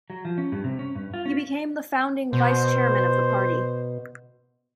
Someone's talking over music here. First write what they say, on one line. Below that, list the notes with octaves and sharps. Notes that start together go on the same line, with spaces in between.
He became the founding vice-chairman of the party.
F#3
F3
C#4
G2
C3
C#4
G2
F4
C#4
B2 C5